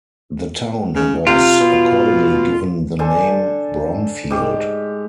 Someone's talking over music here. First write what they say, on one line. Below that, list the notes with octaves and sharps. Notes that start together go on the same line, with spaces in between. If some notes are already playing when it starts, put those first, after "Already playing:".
The town was accordingly given the name "Bromfield".
C#3
C3 F4
B2
D3 A4 C5 G#5
G#2 G4